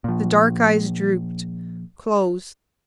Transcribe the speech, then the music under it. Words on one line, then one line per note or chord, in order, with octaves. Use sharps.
The dark eyes drooped--closed.
A#2 F3